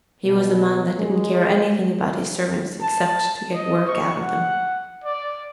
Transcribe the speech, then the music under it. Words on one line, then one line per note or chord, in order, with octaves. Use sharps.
He was a man that didn't care anything about his servants, except to get work out of them.
B2
G#3
A5
D#5
C#6
F#5
D5